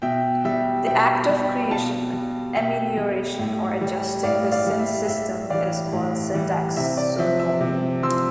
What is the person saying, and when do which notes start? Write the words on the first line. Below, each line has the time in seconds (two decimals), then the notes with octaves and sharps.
The act of creation, amelioration or adjusting the synsystem is called "syntaxonomy".
0.02 B2 E5 G5
0.44 G3 E5 G5
0.86 B2 E5 G5
1.15 G5 B5
1.29 G3
1.43 G5 B5
1.71 B2 F5 A5
2.13 G3
2.55 B2 E5 G5
2.97 G3
3.39 A2
3.81 G3
4.23 A2 D5 F5
4.52 D5 F5
4.66 G3
4.79 E5
5.08 A2 E5
5.50 E3 G3 D5 F5
5.92 A2
6.34 E3 G3
6.77 C3 E5
6.97 D5
7.18 F3 E5
7.40 E5
7.60 C3
8.03 F3 C6 E6